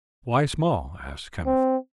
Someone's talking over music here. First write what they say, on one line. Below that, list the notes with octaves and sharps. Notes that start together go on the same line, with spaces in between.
"Why small?" asked Kenneth.
C4